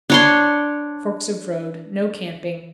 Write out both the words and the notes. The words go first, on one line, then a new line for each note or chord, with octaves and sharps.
Forks of Road.--No camping.
D4 C#5 C6